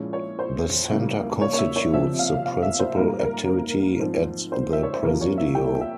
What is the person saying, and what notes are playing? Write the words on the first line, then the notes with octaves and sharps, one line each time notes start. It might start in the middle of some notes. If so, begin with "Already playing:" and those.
The center constitutes the principal activity at the Presidio.
Already playing: A#2 F3 G#3 C#4 E4
C#5
C5
C#3 G3 A#3 E4
C#5
C#5
E5
C#5
C3 F3 C4 E5
F5
F5
E5
C5
G#2 G3 A#3 A#4
A#4
G#2 F3 C4
C5
E5
C#5
C5
C3 F3 A#3 F4 A#4
C#5
E5
G5
E5